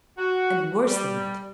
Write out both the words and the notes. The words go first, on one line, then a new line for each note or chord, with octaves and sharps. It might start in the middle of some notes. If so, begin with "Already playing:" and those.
And worse than that!
F#4
G3